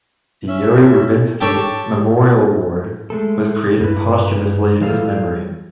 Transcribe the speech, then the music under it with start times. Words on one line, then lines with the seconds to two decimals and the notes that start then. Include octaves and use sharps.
The Yuri Rubinsky Memorial Award was created posthumously in his memory.
0.48 C#4 E5
1.41 G4 A4 C#5 A5
3.10 G#3 A3 A4
3.81 G2 B4
4.81 E3 F#3 G3 F4 A4 F5